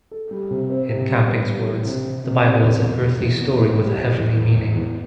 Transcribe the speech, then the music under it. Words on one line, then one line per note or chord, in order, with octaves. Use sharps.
In Camping's words, the Bible is an earthly story with a Heavenly meaning.
A4
G3
C3
C4
C3
G3
B3
G3
E3
C3
C3
C3
C3
E2
B2
E2
E2
B3
A2
G3
G3
E2
E2
E2
E2